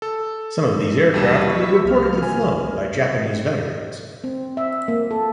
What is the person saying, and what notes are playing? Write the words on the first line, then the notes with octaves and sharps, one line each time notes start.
Some of these aircraft were reportedly flown by Japanese veterans.
A4
D#2 G3 E7
E4 C#6 E6 B6
C2 A#3 F6
G#5
C4
E5
A#3
A4